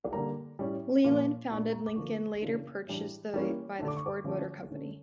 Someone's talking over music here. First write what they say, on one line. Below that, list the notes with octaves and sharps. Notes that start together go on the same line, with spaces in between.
Leland founded Lincoln, later purchased by the Ford Motor Company.
D3 G3 A#3 A#5
A2 G3 C#4
A#2 F3 A#3 C#4
A#2 A3 D4 C#6
A#5
D6
D3 F3 A#3 C#6
C#3 E3 A#3 D4
A2 E3 G3 D4
E3 G3 A#3 C#4
D3 A3 D4
D6
C#6
D6
D3 F3 A3 C#4
D3 A3 C#4